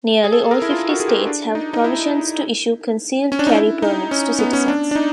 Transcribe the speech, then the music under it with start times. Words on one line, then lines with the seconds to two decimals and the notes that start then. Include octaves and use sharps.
Nearly all fifty States have provisions to issue concealed carry permits to citizens.
0.24 G#4
0.32 A4
0.51 A#4
0.62 E4
0.71 F4
0.89 F#4
1.00 G#4
1.08 G4
1.27 D4
1.55 D#4
1.73 D#4
1.84 E4
3.32 C#4
3.39 D4
3.47 D#4
3.54 E4
3.82 D#4
4.11 C#4
4.39 B3
4.53 C#4
4.68 D4
4.91 D4
4.95 D#4